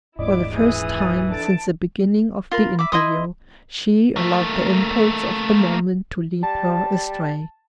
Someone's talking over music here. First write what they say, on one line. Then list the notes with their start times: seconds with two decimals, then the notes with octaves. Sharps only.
For the first time since the beginning of the interview, she allowed the impulse of the moment to lead her astray.
0.19 D#1 G#2 E4 D5 D#5 D6
0.55 E3 G#4 D#6
0.98 G#5 A6
1.30 D4 A4 A5 A6 D7
2.51 F4 A#4 B5
2.79 E5 B5 D6
2.92 E4 D#5 C6 D#6
4.16 A3 A#3
6.43 G3 A5